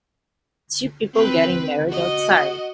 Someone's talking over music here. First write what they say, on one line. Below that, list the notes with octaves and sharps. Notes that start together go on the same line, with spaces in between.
Two people getting married outside.
C4 B4
F#4 D#5